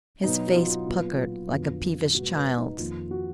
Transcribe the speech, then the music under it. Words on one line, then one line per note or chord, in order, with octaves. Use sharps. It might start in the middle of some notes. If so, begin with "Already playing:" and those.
His face puckered like a peevish child's.
B2 F#3 B3 D#4
F#4
F4
A#2 F#3 B3 F4
F2 D3 F#3 B3
B2 G#3 B3 F#4
B4
D#4
F2 D#3 A#3 F4
F#4